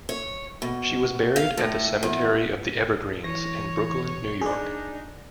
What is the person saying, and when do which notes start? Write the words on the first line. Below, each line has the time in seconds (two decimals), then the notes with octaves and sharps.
She was buried at the Cemetery of the Evergreens in Brooklyn, New York.
0.09 C#5
0.62 B2
1.36 F5
1.57 A2
2.03 E2
3.24 E3 C#5 A#6
4.41 D4 D#4 G#4 D5